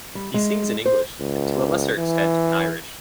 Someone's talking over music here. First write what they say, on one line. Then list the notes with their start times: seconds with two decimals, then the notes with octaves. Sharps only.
He sings in English, and to a lesser extent in Irish.
0.15 G3
0.34 G#3
0.85 C5
1.20 C#2
1.98 E3